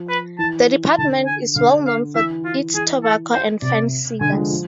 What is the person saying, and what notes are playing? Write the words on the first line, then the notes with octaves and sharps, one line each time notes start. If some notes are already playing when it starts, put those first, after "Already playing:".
The department is well known for its tobacco and fine cigars.
Already playing: F3
B4
E3 A5
D3 A5
G#5
D3 F5
F5
E3 E5
F4
E3 G#4
A4
C5
C3 D5
D3 G#5
G#3
F3
F3